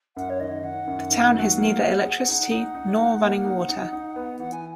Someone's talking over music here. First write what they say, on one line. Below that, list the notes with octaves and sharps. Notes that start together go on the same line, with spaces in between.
The town has neither electricity nor running water.
F#2 F#5
C#5
D#3 D#5
D#3 F#5
F#2
D#3
F#3
A#3
G#4
G#4
D#4
D#4 F#5
D#4
D#4
A#3
D#4
D#4
D#4
B3
E3 F#5
G#5